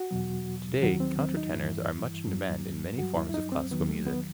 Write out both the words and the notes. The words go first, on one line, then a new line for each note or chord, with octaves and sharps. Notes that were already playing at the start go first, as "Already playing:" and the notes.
Today, countertenors are much in demand in many forms of classical music.
Already playing: F#4
E2 B2 F#3
D#2 D#3 F#3 F#4
C4
C4
D#4
G2 E3 E4
G2 F#3
G2 F#3 F#4
E4
E4
D#4
C4
E2 D#3 F#3 B3
A3
B3